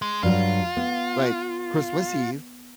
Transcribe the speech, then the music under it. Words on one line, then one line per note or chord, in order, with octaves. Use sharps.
like, Christmas Eve,
G#3
G2 F#3 F4
B3